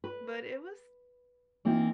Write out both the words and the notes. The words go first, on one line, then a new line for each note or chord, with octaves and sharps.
but it was
B4
E3 A#3 C4 D#4 F4